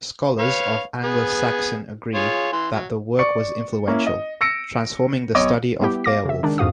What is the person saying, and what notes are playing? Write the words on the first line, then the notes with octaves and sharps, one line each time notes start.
Scholars of Anglo-Saxon agree that the work was influential, transforming the study of "Beowulf".
B4 C#5 F5
B3 G#4
F4 G#4 C#5
E3 C6
F#3
D5 C#6 C#7
A#3 C#4 E4
D#5
E6 A#6 C#7 D7
B1 C#5 D#5 D6
G3 B3 E4 G4
F5 D6 A#6
C#3 E5
D#3 G#3 D4
F2 G#2 F#4 F5 D#6